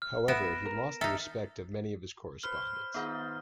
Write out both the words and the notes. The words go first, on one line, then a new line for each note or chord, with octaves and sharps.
However, he lost the respect of many of his correspondents.
F6
B3 B4 E5 A#6 D7 E7
A#4
D#4 A4 E5 A#5 F6
B4 C5 F6
D#3 B3 D#4 F4